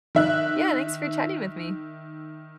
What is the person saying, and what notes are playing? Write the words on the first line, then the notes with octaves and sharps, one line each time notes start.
Yeah, thanks for chatting with me.
D#3 E5 F#6